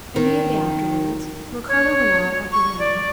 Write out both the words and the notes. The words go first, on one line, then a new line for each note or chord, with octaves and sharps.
Immediately afterwards Ricardo went out of the room.
D#3
C#5
C#6
D5